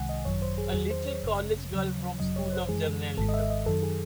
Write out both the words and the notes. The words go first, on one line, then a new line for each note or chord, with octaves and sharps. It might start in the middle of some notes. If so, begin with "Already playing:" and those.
A little college girl from a School of Journalism!
Already playing: C2 C3 D#3 G#3 F#5 G#5
D#5
G#1 F#2 D#3 F#3 C#5
C5
G#4
E2 D#3 F#3 G#4
C5
C#5
G#1 F#2 C#3
D#2 C#3 F#3
G#1 F#2 C#3 F#3 D#5
C#5
C5
F#2 E3 G#3 G#4
G#1 G#2 D#3 G#3 A4
D#5
E5
D#5
F#2 D#3 F#3 A4
G#4